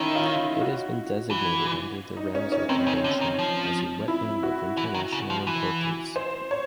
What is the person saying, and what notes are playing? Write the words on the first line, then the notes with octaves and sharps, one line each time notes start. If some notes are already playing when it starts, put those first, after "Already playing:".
It has been designated under the Ramsar Convention as a Wetland of International Importance.
Already playing: D#3 C#4 D#4 E4
F4
F#4
E3
D#4
C#4
C#4
D#3 C4
C#3
D3
D#3
F3
E4
F#4
E3
D#3
C#3
F3
E3
C5
C#5